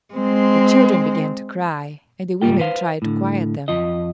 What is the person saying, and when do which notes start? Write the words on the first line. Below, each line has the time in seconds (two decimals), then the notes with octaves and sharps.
The children began to cry, and the women tried to quiet them.
0.14 G#3 C4
2.42 C#2 G#2 G3 A#3 F4 G5
2.59 B4 C5 F5
3.02 A2 D3
3.68 F2 F4 D#5